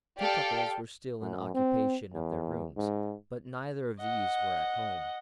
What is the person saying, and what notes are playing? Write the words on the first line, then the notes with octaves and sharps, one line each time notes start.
Two couples were still in occupation of their rooms, but neither of these were at home.
G4 A4 D5 F5 G5
F#2
C4
E2
G#2
D#5 F#5